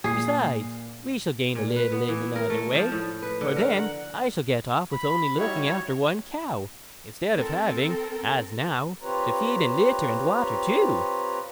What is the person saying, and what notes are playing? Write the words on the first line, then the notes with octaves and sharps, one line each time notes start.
Besides, we shall gain a little in another way, for then I shall get off with only looking after one cow, instead of having, as now, to feed and litter and water two.'
A#2 G#4 C7
A#2
B4
B3
E3
A#4
A3
F3
A2
B4
D3
A#4
F#5
B5
G3 D#4 E4 F#4 C#5
C4 A4 A#4
C4 F4 G4 B4 C#5 A#5